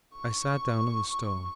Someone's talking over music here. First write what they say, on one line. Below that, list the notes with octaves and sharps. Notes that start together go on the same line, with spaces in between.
I sat down on the stone.
C#6